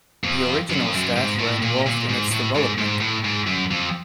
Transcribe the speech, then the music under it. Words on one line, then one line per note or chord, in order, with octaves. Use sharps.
The original staff were involved in its development.
F2
F#2
F2
F#2
G#2
A2
A#2
A#2
G#2
A2
G#2
G#2
A2
G#2
F#2
F2